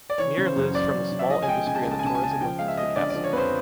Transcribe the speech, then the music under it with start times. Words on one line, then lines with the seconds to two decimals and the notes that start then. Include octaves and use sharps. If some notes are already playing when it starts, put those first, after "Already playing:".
Mir lives from the small industry and the tourism linked to the castle.
0.10 D5
0.18 E3 C#5
0.37 C#3
0.46 C5
0.56 F#2
0.74 F#2 D5
0.92 F#2
1.12 C#3
1.19 E5
1.29 F3 D#5
1.42 G#5
1.48 G#3 G5
1.67 C#3 G#5
1.75 A5
1.82 G#5
1.86 C#2
1.91 A5
1.99 G#5
2.04 C#3 A5
2.15 G#5
2.23 C#3 A5
2.31 G#5
2.41 F3 G5
2.59 G#3 F5
2.68 E5
2.77 G#3 D#5
2.96 D3 D5
3.10 F3 D5
3.24 C#5
3.33 F2 B4
3.37 C5